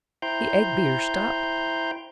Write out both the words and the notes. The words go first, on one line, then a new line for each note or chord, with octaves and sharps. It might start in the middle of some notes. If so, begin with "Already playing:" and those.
The egg-beater stopped.
E4 C5 G5 A#5 C6 G6